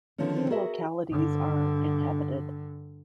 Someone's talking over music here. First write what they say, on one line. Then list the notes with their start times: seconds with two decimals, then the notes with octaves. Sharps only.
Few localities are inhabited.
0.18 D3 D#3 F3 B3 C#4
0.50 F#4 G#4 A#4 D#5 E5
1.08 G2 D3